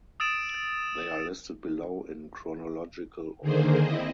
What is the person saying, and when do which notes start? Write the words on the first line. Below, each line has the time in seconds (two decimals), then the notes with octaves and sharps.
They are listed below in chronological order.
0.20 D#6 E6 A6 D7 E7
3.41 D3 D#3 A#3 G#4 C5
3.82 C4 E4 D#5